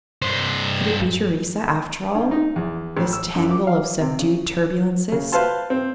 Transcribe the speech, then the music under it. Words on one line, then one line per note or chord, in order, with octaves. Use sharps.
Could it be Theresa, after all, this tangle of subdued turbulences?
G2 C5
G2
D#4
E2
A1
E6
F#2
D6
F5
C3
C#3
C#3
B4 C5 F5 A5 C6
C4